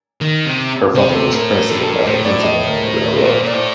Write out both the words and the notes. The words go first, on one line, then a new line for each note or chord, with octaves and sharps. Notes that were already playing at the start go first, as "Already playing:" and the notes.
Her father was president of the Pennsylvania Railroad.
D#3
C3
C3 C5
A4
A2 A#4
A#4
G2 A4
A4
A#4
A2 C5
D5
D#5
A#4
C5
A#4
A#2 A4
C5
A#2 D5
A2 C5